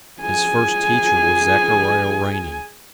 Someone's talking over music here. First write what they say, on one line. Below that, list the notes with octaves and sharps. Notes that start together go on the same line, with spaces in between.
His first teacher was Zachariah Riney.
G#4 G#5